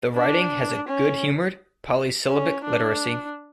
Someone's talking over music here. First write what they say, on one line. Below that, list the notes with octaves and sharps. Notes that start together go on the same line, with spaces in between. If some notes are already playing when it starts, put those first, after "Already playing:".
The writing has a good-humored polysyllabic literacy.
D4
C#4
C#4
D4